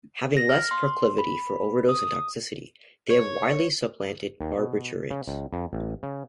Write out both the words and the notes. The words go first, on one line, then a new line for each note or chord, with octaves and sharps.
Having less proclivity for overdose and toxicity, they have widely supplanted barbiturates.
A#6
F6
C6
B5
D#6
C#5
D#2
B2
C#3
C#2
F2
A1
C#3